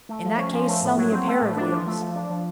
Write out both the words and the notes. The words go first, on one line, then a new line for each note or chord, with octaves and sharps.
"In that case, sell me a pair of wheels."
A3
F3
C#4
F3
A3
A2
F#3
C4
A3
A2
D4
F3
A3
F3
D4
F3